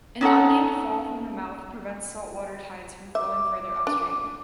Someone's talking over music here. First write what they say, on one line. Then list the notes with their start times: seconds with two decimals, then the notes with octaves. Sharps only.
An unnamed fall from the mouth prevents saltwater tides from flowing further upstream.
0.21 C#4 D#4 A4 F#5
3.15 E5 D6
3.87 D4